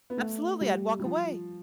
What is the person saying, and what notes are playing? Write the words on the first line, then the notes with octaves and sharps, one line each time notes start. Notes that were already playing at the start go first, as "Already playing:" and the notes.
Absolutely, I'd walk away.
B3
A3
G3
G3
F3